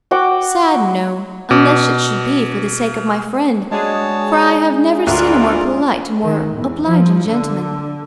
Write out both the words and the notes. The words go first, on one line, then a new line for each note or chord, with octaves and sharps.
"Sad, no, unless it should be for the sake of my friend, for I have never seen a more polite and more obliging gentleman."
F#4 F#5 G5 D6
B2 D6
G#3 D4 F#4 G#4 C#5 A5
D2 F4 A#4 D5 A#5
D#3
E2
F3
D3